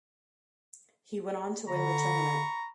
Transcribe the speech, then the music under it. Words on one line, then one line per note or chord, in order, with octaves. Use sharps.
He went on to win the tournament.
D3 A#5 B5 C#6